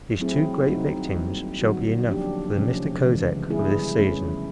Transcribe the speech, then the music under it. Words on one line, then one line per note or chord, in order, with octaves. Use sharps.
These two great victims shall be enough for the Mista Kosek of this season.
F#3 A3 C4 E4 G#4
D#3 G3 C4 D#4 F#4
B2 G3 A#3
D3 F#3 B3 D#4 F#4
F3 A#3 D4 G4
C3 F3 A3 C#4
C#3 E3 G#3
E3 G3 B3 E4 G#4
F3 A3 C#4